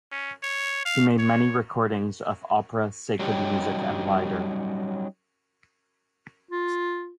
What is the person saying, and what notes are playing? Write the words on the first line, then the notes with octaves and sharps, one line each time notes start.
He made many recordings of opera, sacred music, and lieder.
C#4
C#5
F5
C#5
F#3 G3 C#4 D#4 G4
F4